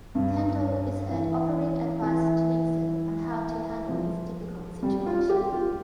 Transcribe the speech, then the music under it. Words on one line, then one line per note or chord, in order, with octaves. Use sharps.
Kendall is heard offering advice to Nixon on how to handle his difficult situation.
G2
E3
E3
F3
G3
F4
G4
F4